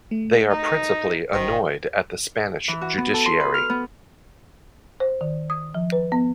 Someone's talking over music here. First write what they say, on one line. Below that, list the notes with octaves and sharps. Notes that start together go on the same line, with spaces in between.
They are principally annoyed at the Spanish Judiciary.
A3
D#4
G1 D#3 C5 G5
E3
F#4
B3
A4
C6
B4
F6
B3
C5
D#3
D#6
F3
B4
B3